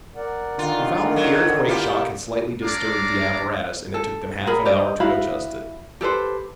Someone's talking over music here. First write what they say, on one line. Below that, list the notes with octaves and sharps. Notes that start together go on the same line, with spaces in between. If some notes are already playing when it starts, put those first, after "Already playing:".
They found that the earthquake shock had slightly disturbed the apparatus, and it took them half an hour to adjust it.
A#4 D5 F#5
D3 D#3 F4
F#3
E4 F4 G4
D4 C#5 D5 F5 A#5 D6
A4
G#4 A#4 B5
G4 C5 D5 D#5
E4 F#4 F5 B5
G4 A4 B4 C5